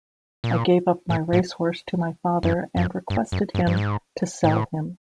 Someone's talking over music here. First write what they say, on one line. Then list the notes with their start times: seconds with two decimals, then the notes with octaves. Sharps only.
I gave up my racehorse to my father, and requested him to sell him.
0.44 A#2
1.10 A2
1.33 A2
2.43 F#2
2.77 F#2
3.10 G2
3.32 F#2
3.55 G2
3.67 G2
3.77 G#2
4.44 A2